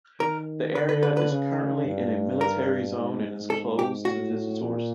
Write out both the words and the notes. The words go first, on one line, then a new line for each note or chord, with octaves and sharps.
The area is currently in a military zone and is closed to visitors.
D#3 A#4
D3 B4
B4
B4
B4
C#3
G2
A#4
G#2
A4
G4
A2 F#4
A#2